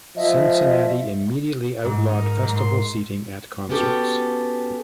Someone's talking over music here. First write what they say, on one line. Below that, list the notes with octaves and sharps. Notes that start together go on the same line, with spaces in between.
Cincinnati immediately outlawed festival seating at concerts.
F3 D#5 E5
G#2
D#4
A#4
G#2
C6
B3 C#4 F#4 G4 A4